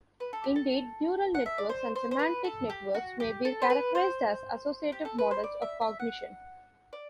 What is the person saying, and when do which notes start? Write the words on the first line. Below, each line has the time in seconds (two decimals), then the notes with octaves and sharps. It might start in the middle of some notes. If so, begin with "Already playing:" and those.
Indeed, neural networks and semantic networks may be characterized as associative models of cognition.
0.20 B4
0.33 A4
0.44 G4
0.56 A4
1.35 F#5
1.46 E5
1.58 D5
1.69 C5
1.96 C5
2.11 C5
2.19 B4
2.44 A4
2.70 G4
2.95 F#4
3.20 G4
3.45 A4
3.62 C5
3.70 B4
3.95 C5
4.92 G4
5.05 A4
5.18 B4
5.31 C5
5.44 D5
5.62 E5
5.81 E5
5.99 F#5
6.93 D5